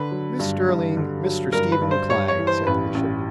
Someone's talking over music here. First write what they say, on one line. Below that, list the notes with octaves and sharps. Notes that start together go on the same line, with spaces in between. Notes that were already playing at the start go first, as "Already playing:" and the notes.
"Miss Sterling, Mr. Stephen Clyde," said the Bishop.
Already playing: D3 B4
F#3
G2
G2
D3
F#3
G2 A#4
B4
G2
C5
G2 C#5
C#5
E3
C5
A1 B4
A1